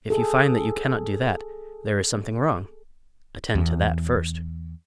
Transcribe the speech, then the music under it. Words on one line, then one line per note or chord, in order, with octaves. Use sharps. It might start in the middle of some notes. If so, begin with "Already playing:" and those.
If you find that you cannot do that, there is something wrong--attend to that first.
G#4 A4
E2